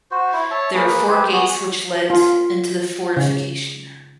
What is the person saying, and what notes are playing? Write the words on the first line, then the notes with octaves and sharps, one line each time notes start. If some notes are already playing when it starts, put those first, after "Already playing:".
There were four gates which led into the fortification.
F#4 C5
E4
C#5 E5 A5
A#3 G#4 B4
G4 B4 C5
B3 F#4 G#4 D#6
F4
C#3